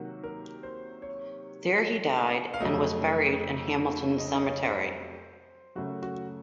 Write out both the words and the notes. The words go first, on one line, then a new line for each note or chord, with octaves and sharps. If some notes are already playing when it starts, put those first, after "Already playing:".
There he died and was buried in Hamilton cemetery.
Already playing: C3 D#3 F#3 A#3 F#4
A#4
C5
C#5
F5
F2 C3 F#3 A3 D#5
D#5
D#5
C#5
C5
F#2 C#3 A3 F#4
F#4